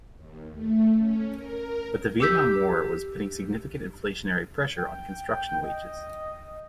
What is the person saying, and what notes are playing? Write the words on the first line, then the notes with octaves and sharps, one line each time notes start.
But the Vietnam War was putting significant inflationary pressure on construction wages.
D#2
A3
C#4
A#4
G4 D6 E6 G6 B6
G5
D#5